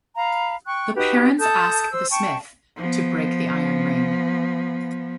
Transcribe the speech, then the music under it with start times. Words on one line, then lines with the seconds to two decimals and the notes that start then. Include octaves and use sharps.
The parents ask the smith to break the iron ring.
0.16 F5 A#5 B5
0.67 G5 C#6 F#6
0.95 D#4 F#4 G4 B4
1.39 A4 A5 D#6 G6
1.92 C5 E6
2.11 G5 A5 C#6
2.77 F3 B3